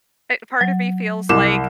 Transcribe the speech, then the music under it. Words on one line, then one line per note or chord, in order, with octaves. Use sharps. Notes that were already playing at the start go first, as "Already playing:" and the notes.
eh part of me feels, like,
F#3
C2 D6 E7